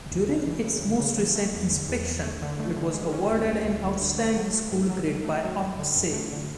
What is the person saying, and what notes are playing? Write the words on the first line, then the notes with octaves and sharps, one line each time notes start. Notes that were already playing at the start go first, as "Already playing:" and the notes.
During its most recent inspection it was awarded an Outstanding school grade by Ofsted.
D2
C#3
E3
C#3
D2
C#3
E3
A3
E2
D3
E2
E2
A3
D3
A3
D3
G#3
C#4
D2
G#3
D2
D2
D3
A3
F#3
A3
G#2
F#3
G#2
A3
F#3
F#2
D3
F#2
A3
D3